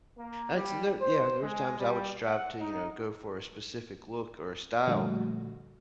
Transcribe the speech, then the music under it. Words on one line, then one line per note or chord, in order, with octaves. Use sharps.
that's there yeah there was times I would strive to, you know, go for a specific look or a style,
A#3
G3
C5
G#3
G3
F#5
D#4
A#2 D3 F3 G3 A3 F#4